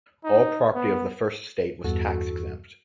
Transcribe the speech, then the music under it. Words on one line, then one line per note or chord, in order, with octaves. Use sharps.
All property of the First Estate was tax exempt.
D#4
B3
E2 G2 F#4 A4